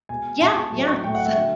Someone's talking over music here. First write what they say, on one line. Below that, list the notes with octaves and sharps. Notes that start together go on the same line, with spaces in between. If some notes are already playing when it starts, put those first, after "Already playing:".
Yeah, yeah, so
B2 G#3 G#5
B2 G#3 A5
C#6
A2 F#3 A3
C#6
A2 F#3 A3 G5
F#5
E5
D3 F#3 A3